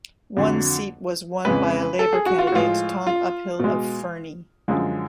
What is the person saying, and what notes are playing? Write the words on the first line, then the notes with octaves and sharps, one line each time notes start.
One seat was won by a Labour candidate, Tom Uphill of Fernie.
F2 D3 F#3
F2 C#3 G#3 B4
A4
G#4
F#4
F4
F#4
A2 F3 G#3 F4
F4
B2 G#3
F#2 D3 F3 G#3